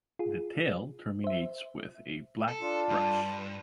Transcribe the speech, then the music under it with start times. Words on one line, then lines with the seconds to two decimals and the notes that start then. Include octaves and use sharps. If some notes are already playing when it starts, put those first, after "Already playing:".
The tail terminates with a black brush.
0.19 F4 G#4
1.24 C5 E5
2.48 A4
2.61 D4 F4
2.89 G2